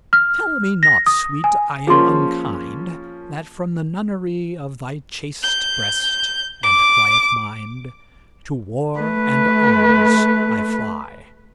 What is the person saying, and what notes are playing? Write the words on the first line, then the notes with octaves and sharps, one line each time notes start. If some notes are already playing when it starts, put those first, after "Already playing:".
Tell me not, Sweet, I am unkind That from the nunnery Of thy chaste breast and quiet mind, To war and arms I fly.
F6
A#6
D#6
G#5
F3 A#3 C#4 G#4 C6
G6
D6
A3 B4